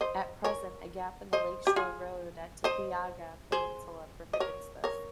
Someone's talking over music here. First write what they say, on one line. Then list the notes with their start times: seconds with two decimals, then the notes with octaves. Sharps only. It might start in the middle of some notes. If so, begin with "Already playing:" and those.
At present a gap in the lake shore road at Tepeyaga peninsula prohibits this.
0.01 C5 D#5
0.44 A#4 C#5
1.33 C5 D#5
1.67 G4
1.76 F4 G#4
2.64 C5 D#5
3.52 G#4 C5
4.33 D#5
4.40 A#4 C#5
4.84 A#4 C#5